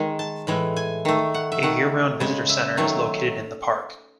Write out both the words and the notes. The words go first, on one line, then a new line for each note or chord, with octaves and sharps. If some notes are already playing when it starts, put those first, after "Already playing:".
A year-round visitor center is located in the park.
Already playing: D#3 G#3
A5
A2 E3 G#3
G#5
D#3 A3
F#5
E5
D#3 A3 F#5
C#3 G#3
E5
D#3 F#3 A3